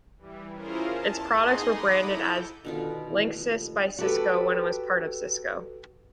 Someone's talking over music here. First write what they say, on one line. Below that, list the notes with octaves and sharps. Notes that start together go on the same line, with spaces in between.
Its products were branded as Linksys by Cisco when it was part of Cisco.
E3 G3
C#4 E4 F4 G#4 A#4 C5
E2 A5
D#4 G#4 D#5 C6
F#5 A#5 B5 D6 D#6
E4 A4 G6
B2 D3 D#3 F4
E2
F1
F#4 G4 A4 B4